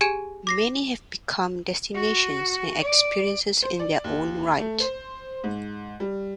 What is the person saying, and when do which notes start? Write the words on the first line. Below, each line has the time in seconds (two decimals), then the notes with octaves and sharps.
Many have become destinations and experiences in their own right.
0.01 G4 G#4 G#5 G#6 D7 E7
0.47 D6 A#6 C7
1.95 F#4
2.81 D5
3.62 C5
3.79 D5
4.04 D#2
4.59 A3
4.80 C5
5.44 G#2
6.00 G3